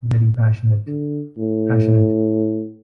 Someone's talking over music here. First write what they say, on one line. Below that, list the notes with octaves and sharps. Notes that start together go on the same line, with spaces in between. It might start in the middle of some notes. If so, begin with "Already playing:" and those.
Very passionate. Passionate.
D3
A2